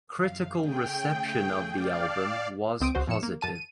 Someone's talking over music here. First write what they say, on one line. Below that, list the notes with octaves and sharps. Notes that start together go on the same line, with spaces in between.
Critical reception of the album was positive.
F#2 F5
C#3 A3 G#4 G5
D5 F5
A5
C#2 C4 D#6 D7
C#2 F#4 C5
F2 A2 C#7 E7
A#3
F#2 A5 D#7
D#7